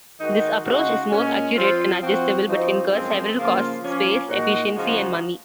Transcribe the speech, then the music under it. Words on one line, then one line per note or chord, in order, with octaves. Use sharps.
This approach is more accurate and adjustable, but incurs several costs-space, efficiency and money.
D#3 G#3 D#4 F#4
C#3 G#3 D#4 F#4
A#2 G#3 C#4
F3 C4 F4
F3 C4 F#4
F3 C4 D#4 F#4
F#2 F3 G#3 C4
C#3 F3 A#3 F4
F3 A#3 C#4 F4
A#2 G#3 D#4 F#4
C#3 F3 G#3 D#4 F#4